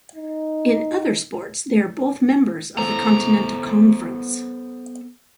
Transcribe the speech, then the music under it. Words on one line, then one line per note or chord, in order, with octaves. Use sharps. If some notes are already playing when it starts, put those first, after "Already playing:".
In other sports they are both members of the Centennial Conference.
D#4
B3 A4 C5 A#5